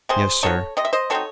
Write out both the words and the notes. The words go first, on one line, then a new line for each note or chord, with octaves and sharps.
"Yes, sir."
C3 G#4 C5
F#3 C4 D#4 A4 C#5
C3 D#5
E5
C5 D#5
F#3 C4 D#4 A4 C#5